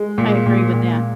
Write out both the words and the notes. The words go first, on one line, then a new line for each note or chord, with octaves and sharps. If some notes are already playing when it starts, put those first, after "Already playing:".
I agree with that.
Already playing: G#3
A#2
A#2
A#2